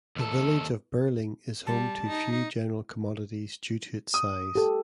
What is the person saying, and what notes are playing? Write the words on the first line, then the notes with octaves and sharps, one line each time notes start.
The village of Birling is home to few general commodities due to its size.
D#2 A4
G3 A5
D#4
D#6
G4 A4